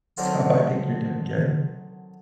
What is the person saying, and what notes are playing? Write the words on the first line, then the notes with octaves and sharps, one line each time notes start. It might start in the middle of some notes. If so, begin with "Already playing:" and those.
so I think you're doing good,
D3 D#3 F#3 C4 D4